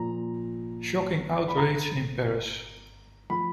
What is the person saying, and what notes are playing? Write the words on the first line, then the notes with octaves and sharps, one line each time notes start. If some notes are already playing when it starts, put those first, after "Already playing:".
Shocking outrage in Paris.
Already playing: A#2 F3 A#5
B5
A#5
F3 B5